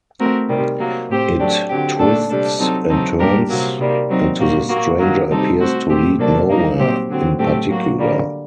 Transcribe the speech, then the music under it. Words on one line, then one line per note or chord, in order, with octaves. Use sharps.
It twists and turns, and to the stranger appears to lead nowhere in particular.
A3 C4 F#4 A#4
C3 D#3 G3
C3 F#3 A#3
A2 A3 C4 G4 C5
F#3 A3 D4 G4
D3 F#3 C4 G4
A#2 A3 D4 A4
C3 G3 D4 A4
F#3 C4 D#4 A4
F#3 C4 D#4 A4
A#2 G3 D4 G4 A#4
C3 F#3 A#3
C3 D#3 G3 A#3
F#3 C4 D#4
A#2 G3 A#3 F#4
A#2 F#3 A#3 F#4
D#3 F#3 A#3
C3 G3 C4 D#4 A4
A3 C4 F#4 C5
A#2 A3 C4 G4 C5
C3 F#3 A#3 D4 A4
G3 A#3 D#4
A#2 F#3 C4 G4 C5
D3 F#3 C4
A2 F#3 A3 C4 G4
F#3 A#3 F#4
D3 G3 A#3